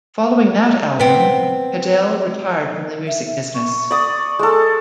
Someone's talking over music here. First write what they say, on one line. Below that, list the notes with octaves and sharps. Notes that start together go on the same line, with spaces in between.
Following that album, Cadell retired from the music business.
B3 C4
E5
C#6
D5 D#6
G#3 A4